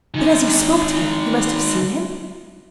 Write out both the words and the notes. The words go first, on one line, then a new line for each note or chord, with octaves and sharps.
"But as you spoke to him you must have seen him."
D#3 G#3